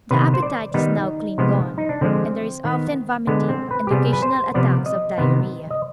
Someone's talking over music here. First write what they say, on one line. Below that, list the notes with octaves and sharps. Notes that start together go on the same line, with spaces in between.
The appetite is now clean gone, and there is often vomiting and occasional attacks of diarrhoea.
C3 D#3 B3 B4
C5
D5
D#3 G3 B3 D#4
C3 F3 G#3 B3
D#4
D4
D3 F3 G#3 C4
D#3 B3
D3 G#3 B3
C4
B4
G4
C3 G3 B3 G#4
B4
C5
C3 F3 B3 D5
D#5
C3 D#3 B3
D#5